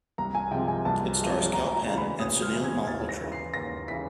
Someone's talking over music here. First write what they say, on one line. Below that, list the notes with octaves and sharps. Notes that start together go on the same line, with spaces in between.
It stars Kal Penn and Sunil Malhotra.
C2 A#5
G#5
C3 F3 G#3 G5
G#5
C2 A5
C3 F3 G#3
D2 A#5
A#5
C#3 E3
B5
D2 D#6
F6
C#3 E3
G#6
D#2 A6
A#6
C#3 E3
C7
D#2 A#6
C#3 E3 B6